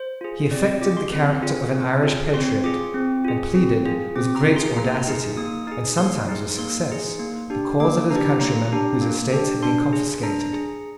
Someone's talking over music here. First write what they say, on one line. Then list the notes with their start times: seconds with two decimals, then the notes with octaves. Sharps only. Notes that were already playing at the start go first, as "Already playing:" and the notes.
He affected the character of an Irish patriot, and pleaded, with great audacity, and sometimes with success, the cause of his countrymen whose estates had been confiscated.
Already playing: C5
0.21 F4 G#4
0.51 C4 D5
0.66 D#5
0.81 F4 G#4 D6
0.97 C6
1.12 C4
1.43 F4 G#4
1.72 C4
2.03 F4 G#4
2.33 C4 C6
2.64 F4 G#4 D6
2.94 C4
3.25 F4 G#4
3.55 C4
3.85 F4 G#4
4.16 C4 D6
4.36 A#5
4.47 F4 G#4
4.56 C6
4.76 A#3 A#5
5.07 D#4 G#4
5.37 A#3 D#6
5.67 D#4 G#4 D#6
5.98 A#3 C6
6.28 D#4 G#4
6.58 A#3 C6
6.89 D#4 G#4
7.19 A#3
7.50 D4 G4
7.80 A#3 D6
8.10 D4 A#5
8.16 G4
8.41 A#3 A#5
8.72 D4 G4
9.02 A#3
9.32 D4 G4
9.63 D4 C6
9.93 G#4
10.23 D4 A#5
10.53 G#4